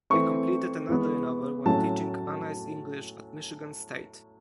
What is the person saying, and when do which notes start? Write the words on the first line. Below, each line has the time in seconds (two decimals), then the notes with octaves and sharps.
He completed another novel while teaching Honors English at Michigan State.
0.10 E3 A3 C4 C#6
0.89 E3 G#3 B3
1.65 A2 F#3 A3 C#4 A5